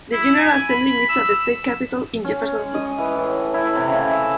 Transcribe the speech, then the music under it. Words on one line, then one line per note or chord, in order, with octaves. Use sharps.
The General Assembly meets at the State Capitol in Jefferson City.
E4
G#5
B5
E6
C#4
G#3
D#5
E3
A2
E4
C3
C#3
E5